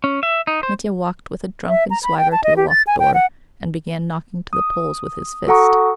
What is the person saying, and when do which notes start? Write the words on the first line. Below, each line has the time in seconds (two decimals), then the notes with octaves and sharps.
Mitya walked with a drunken swagger to the locked door, and began knocking to the Poles with his fist.
0.04 C#4
0.23 E5
0.47 D#4
0.63 C5
1.68 E5
1.90 A#5
2.03 B5
2.17 G5
2.32 A5
2.44 D#5
2.57 G4
2.69 A6
2.87 G#5
2.99 G5
3.14 F#5
4.53 D#6
5.47 F#4 A4 F#5 A#5 C#6 D#6